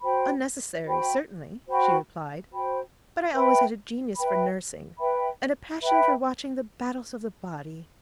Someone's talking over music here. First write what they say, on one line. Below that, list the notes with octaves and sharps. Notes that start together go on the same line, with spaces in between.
'Unnecessary certainly,' she replied: 'but I always had a genius for nursing, and a passion for watching the battles of the body.
F#4 C5 G5 B5
F#4 C5 G5 B5
F#4 C5 G5 B5
F#4 C5 G5 B5
B4 E5 G5 B5
B4 E5 G5 B5
B4 E5 G5 B5
B4 E5 G5 B5